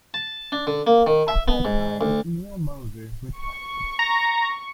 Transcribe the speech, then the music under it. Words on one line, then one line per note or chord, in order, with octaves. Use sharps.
At that time Neal Moser retired.
A5
D4
D3
A#3
D#3
E5
B3
G#2
D2
C#6
A#5